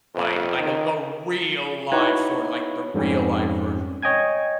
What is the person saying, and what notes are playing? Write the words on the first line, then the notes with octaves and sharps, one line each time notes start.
by like a a real-life sword, like, the real-life version of it.
F2
D#3
D#4 E4 F#4 B4 C#5
F2 G#2 G3 C4 C#4
C#5 D#5 G5 G#5 G#6